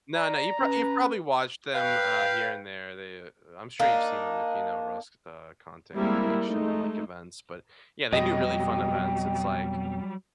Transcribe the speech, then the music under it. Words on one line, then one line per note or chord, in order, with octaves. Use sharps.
No, no, you've prob you've probably watched them, uh, here and there, they I'm sure you've seen them if you know Rust, uh, content creation and, like, events, but, yeah, they do really fun events, it's, like,
D5 A#5
C#4 B4
B4 F5 G5
A#3 D4 D#4
G3 G#3 A#3 C4 E4 A#4
G#3 A3 D#4
F2 B2 F#3 G3 D#5 G5